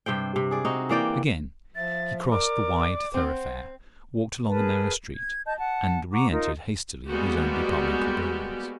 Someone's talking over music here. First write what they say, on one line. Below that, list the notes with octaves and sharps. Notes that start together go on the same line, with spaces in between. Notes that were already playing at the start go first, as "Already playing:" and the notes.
Again he crossed the wide thoroughfare, walked along a narrow street, and re-entered hastily his own departmental buildings.
G2 C3 C5 G5
C3
G#4 D5
C4 D#4 F#4
E3 A#3 D5 G5
F3 E5 A6
A#4 D5 D6
C4 C5 F#5
G#4 A#4 B4 A5
G#6
D#5 A5 G6
F#5 A5
F#5 A#5 C#6 D6
D#4 F4 A#4 D#5
G3 G#3 A#3 B3 F#4 G4